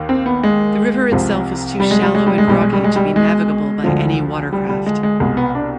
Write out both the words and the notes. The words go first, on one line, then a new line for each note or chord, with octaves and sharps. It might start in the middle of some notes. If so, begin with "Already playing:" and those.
The river itself is too shallow and rocky to be navigable by any watercraft.
Already playing: D#2 D#3
C4
B3
G#3
C2 C3 F3
G3
G#3
G3
G#3
G3
G#3
B1 B2 G3
G#3
G3
G#3
G3
G#3
D2 D3 F3
G3
G3
G#3
G#3
C2 B2 G#3
B3
D4